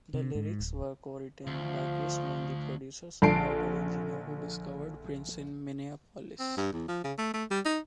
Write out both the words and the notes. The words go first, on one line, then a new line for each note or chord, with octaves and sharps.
The lyrics were cowritten by Chris Moon, the producer-songwriter-engineer who discovered Prince in Minneapolis.
C3
G#2
D1
D2 F3
A#1 D3 A5 C7 D7
C4
G2
E2
F3
C#3
A3
A3
G3
D#4